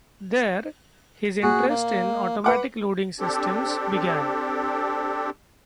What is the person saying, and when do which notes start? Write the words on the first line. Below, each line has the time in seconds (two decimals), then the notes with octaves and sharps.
There, his interest in automatic loading systems began.
1.43 A#2 F#4 G#4
1.69 A#3
2.44 B4 F#5 D6
3.20 C4 D4 G4 A4